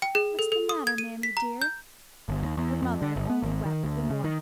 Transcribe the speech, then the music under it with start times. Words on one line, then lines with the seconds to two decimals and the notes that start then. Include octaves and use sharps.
What's the matter, mammie dear?' her mother only wept the more.
0.02 G5
0.15 G#4
0.39 A4
0.52 A4
0.69 D#6
0.87 G#6
0.98 D#7
1.23 B6
1.37 A#5
1.62 G6
2.29 G1
2.43 D#2
2.57 E2
2.82 F2
3.02 D3
3.16 G1
3.30 B3
3.43 G#1
3.65 D#3
3.84 D2
4.10 C#3
4.24 D#3